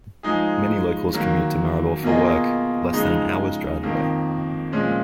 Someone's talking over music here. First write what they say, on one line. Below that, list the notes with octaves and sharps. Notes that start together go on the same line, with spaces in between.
Many locals commute to Maribor for work, less than an hour's drive away.
F3 G#3 D#4 G#4
D#3 F#3 A#3
B2 A#3 F4 G#4 D#5
C#3 F3 G#3 D#4
F2 D#3 A#3
A#2 F3 G#3 C#4